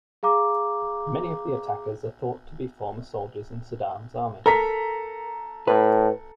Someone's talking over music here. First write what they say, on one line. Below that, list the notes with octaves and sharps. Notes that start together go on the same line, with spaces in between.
Many of the attackers are thought to be former soldiers in Saddam's army.
G#4 F5 A#5 D6
A4 A#4 A#5 B6
A2 B4